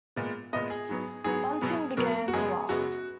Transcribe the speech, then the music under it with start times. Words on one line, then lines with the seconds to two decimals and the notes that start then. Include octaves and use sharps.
Bunting began to laugh.
0.16 A#2 G#3 B3
0.53 A#2 G#3 B3 D#5
0.70 G#4
0.89 G#2 F#3 B3
1.24 G#2 F#3 B3 G#4
1.62 B2 F#3 B3
1.97 B2 F#3 B3 A#4
2.28 F#4
2.33 F#2 C#3 G#3 B3 G#4
2.69 F#2 C#3 G#3 B3 F#4